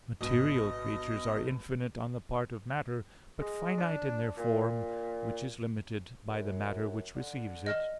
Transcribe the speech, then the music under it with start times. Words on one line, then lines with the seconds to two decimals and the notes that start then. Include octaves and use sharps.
Material creatures are infinite on the part of matter, but finite in their form, which is limited by the matter which receives it.
0.21 G#1 G2 B2 D#5
3.39 G#3
3.78 D4
4.37 A#2
6.28 F#2
7.16 D3
7.66 D#5 F6